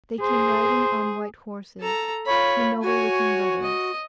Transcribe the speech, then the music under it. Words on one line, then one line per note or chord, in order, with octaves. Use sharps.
They came riding on white horses, two noble-looking brothers.
G#4 C5
A4 A#5
F4 C#5 B5
F#4 C#5 G#5
D#5